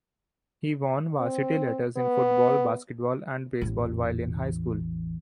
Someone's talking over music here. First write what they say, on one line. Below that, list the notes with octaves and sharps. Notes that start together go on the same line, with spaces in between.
He won varsity letters in football, basketball and baseball while in high school.
C4
B3
A1 E2